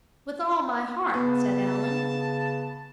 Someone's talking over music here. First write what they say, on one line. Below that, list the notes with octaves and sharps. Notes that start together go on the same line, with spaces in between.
"With all my heart," said Allan.
C#3 B3 A5